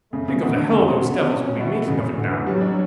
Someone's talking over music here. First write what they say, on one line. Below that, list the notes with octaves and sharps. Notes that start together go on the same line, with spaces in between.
Think of the hell those devils will be making of it now!
C#3 A3
C#3
D3
D3
C#3
D3 B3
C#4
B2 E3
A2 C#3
E3
A2 D3
E3
F#3 G3
D4